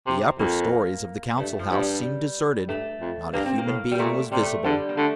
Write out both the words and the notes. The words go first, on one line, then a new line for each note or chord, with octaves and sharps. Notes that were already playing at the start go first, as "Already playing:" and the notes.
The upper storeys of the Council House seemed deserted, not a human being was visible.
C3 C4
F2 A#3
G2 A3
F3
G2
G3
G2 A3
F2
G2 A#3
C4
A#3
A2
G3
A#2 A3
C3 G3
A3
D3 G3
A#3
D3 A3